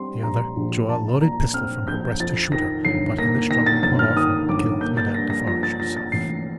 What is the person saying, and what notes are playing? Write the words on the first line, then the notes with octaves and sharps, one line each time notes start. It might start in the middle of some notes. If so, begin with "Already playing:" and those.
The other drew a loaded pistol from her breast to shoot her, but in the struggle it went off and killed Madame Defarge herself.
Already playing: G3 C4 C6
A#1 A#5
A#1
A#1 A5
A#2 A#5
C4 F6
A#1 G6
F2 A6
D#3 A#6
G1 C7
A#3 A#6
D#3 A#6
A6
G1 A6
F6
D#3 D#6
G1 D6
A#3 G6
A6
G2 A#6
A#6
F3 A#6
A6
F3 A#6
A6
A1 C7